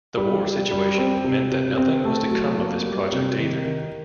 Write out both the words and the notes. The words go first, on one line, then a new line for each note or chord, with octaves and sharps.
The war situation meant that nothing was to come of this project either.
G3
G3
G3
C4
C3
C3
C4
A3
F#3
A#3
G3
C3
D#3
D#3